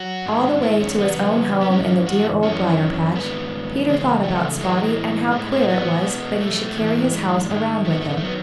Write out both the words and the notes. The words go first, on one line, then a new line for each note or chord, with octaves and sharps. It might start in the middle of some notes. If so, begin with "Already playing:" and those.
All the way to his own home in the dear Old Briar-patch, Peter thought about Spotty and how queer it was that he should carry his house around with him.
Already playing: F#3 F#4
G#2 D#3 G#3
E4
C#4
E2 C#3 F#3 B3
B3
G#2 E3 G#3 C#4
F#4
F#2 E3 G#3 C#4
G#2 D#3 G#3 B3
E2 C#3 G#3
A3
A2 E3 G#3
A2 G#3
G#3
A3
B3
B2 G#3
A3
G#2 E3 G#3
G#3
G#2 D#3 G#3
A3
B3
A3
B3
A3
D#3 F#3 B3